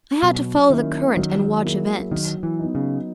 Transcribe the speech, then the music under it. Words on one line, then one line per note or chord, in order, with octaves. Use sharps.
I had to follow the current and watch events.
B2 F#3
D#3 A#3 C#4 E4
D#3 F#3
A#3 E4 G#4
D#3 F#3
E3
B3 D#4
C#3